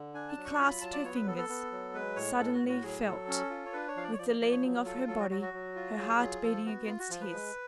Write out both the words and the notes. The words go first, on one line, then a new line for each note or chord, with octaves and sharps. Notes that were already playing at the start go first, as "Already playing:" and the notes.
He clasped her fingers--suddenly felt, with the leaning of her body, her heart beating against his.
Already playing: D3
D4 G#5
A5
F#3
C#6
F4 B5
F#3 A5
D5
B3 C#5
B4
B3 A4
A4
B3
F#3
G#3 B4
A2 C#5
A2 A4
F#4
A2
F#4
F#3 G#4
F#3 A4
C#4
F4
C#5
D4 B4
C#5
F3 F5
D5
C#5
F3 D5
D5
F3 D5
C#5
F#3
F4 A4
F#3 A4
F#4
F#3 F#4
F#4
F#3
F4
F#3 G#4
F4
F3 A4
B3 F#4
F4
F#4
F3 F4
B4
G#3